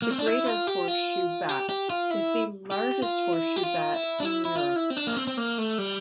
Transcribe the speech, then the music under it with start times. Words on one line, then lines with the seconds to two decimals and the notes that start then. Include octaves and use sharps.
The greater horseshoe bat is the largest horseshoe bat in Europe.
0.02 A#3
0.11 C4
0.18 D4
0.27 E4
0.47 F4
0.67 G4
0.88 F4
1.49 G4
1.69 G4
1.90 F4
2.11 E4
2.72 G4
3.03 F4
3.33 E4
3.56 G4
3.63 F4
3.94 E4
4.20 D4
4.25 E4
4.45 E4
4.55 F4
4.76 E4
4.90 C4
4.97 D4
5.07 A#3
5.17 C4
5.27 C4
5.37 A#3
5.58 A3
5.78 G3